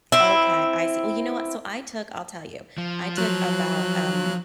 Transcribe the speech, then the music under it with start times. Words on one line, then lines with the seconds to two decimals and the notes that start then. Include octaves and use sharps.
Okay, I see, well, you know what? So, I took I'll tell you, I took about, um,
0.12 C4 E4
2.78 F3
3.17 F#3 F#6